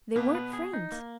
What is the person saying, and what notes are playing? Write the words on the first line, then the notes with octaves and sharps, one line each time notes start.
They weren't friends.
B2 A#3 B3
B4
G#4
D#4
A#3